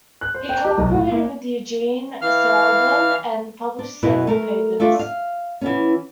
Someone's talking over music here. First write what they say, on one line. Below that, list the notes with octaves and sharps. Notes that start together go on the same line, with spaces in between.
He collaborated with Eugene Serabyn and published several papers.
F#6
C5
G5
G4
B1
A2
A#3
E3 F5 F6
D4
F#2 B2 E4 B4
A3 A#4
A3 D4 F4
F5
E3 B3 C#4